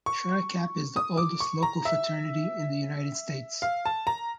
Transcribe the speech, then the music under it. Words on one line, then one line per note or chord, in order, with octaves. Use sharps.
Tri-Kap is the oldest local fraternity in the United States.
C#6
D#6
D6
C#6
A#5
E5
F5
A5
A#5